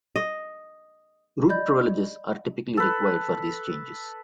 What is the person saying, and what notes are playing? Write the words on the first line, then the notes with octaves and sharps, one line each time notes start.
Root privileges are typically required for these changes.
D#5
D5 D#5 B5 G6
A4 B4